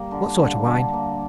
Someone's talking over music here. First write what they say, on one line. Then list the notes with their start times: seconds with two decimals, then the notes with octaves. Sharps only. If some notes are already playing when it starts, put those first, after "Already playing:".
"What sort of wine?"
Already playing: G3 A#3
0.11 D3
0.39 D3
0.66 D3
0.93 A#3